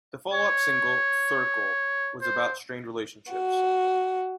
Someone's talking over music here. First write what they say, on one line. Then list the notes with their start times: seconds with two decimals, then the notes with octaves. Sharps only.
The follow-up single, "Circle," was about strained relationships.
0.34 C#5
2.22 C5
3.31 F#4